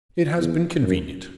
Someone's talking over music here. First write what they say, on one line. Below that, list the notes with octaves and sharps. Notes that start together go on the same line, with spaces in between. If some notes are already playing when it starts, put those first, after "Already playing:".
It has been convenient.
E2
F#2